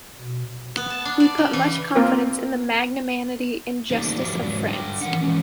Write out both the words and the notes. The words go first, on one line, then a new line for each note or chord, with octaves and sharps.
We put much confidence in the magnanimity and Justice of France.
B2
B3
A5
D4
D5
C#3
E3
A#3 C4 F4 A#4
A3 A#3 D4 D#4 F#4 G4
F3 D4 E4 F#4 G4
G#2 F#3
D3 D4 G5
E3 A#4 F#5
E3 G#3 C#4